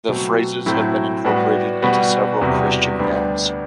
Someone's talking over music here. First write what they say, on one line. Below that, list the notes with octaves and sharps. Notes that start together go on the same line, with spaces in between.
The phrases have been incorporated into several Christian hymns.
B2 F#3 A3 C4
A2 F#3 A3 C4 E4
A2 G3 B3 F#4
B2 G3 B3 F#4
E2 C3 G3 B3 F#4
D2 D3 G3 B3 D4